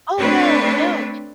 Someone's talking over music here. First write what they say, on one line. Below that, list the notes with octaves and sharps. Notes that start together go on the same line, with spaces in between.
Oh, no, no.
A3 C4 D4 B4 C#5